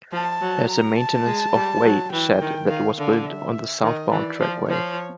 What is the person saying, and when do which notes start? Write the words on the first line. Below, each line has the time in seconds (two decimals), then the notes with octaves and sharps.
There is a "Maintenance of Way" shed that was built on the southbound trackway.
0.13 F3 A5
0.41 F#3
0.70 A#5
0.98 A5
1.27 G#3
1.55 G3
1.85 F#3
2.12 E3 G5
2.41 D#3
2.69 D#3 F5
2.98 D3 F5
3.27 E5
3.83 D#3 D#5
4.11 E3 D5
4.40 F3
4.69 F3 C#5